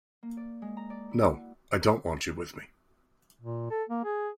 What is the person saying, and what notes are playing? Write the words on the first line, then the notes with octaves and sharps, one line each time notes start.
No, I don't want you with me.
A#3
D5
G#3
A#5
D5
E4
F#4
A#2
A4
A#3
G#4